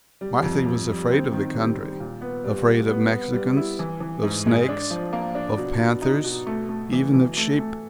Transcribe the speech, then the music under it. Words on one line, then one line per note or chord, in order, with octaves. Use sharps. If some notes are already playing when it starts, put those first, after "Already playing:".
Marthy was afraid of the country--afraid of Mexicans, of snakes, of panthers, even of sheep.
G3
F2
F2
G3
C4
D#3
G3
G3
A#2
B3
G3
G3
B3
B3
G3
E4
E3
E3
G#2
G#3
D4
F3
A#3
D4
B2
B2
D#4
B2
A3
A3
E3
E3
A3
A3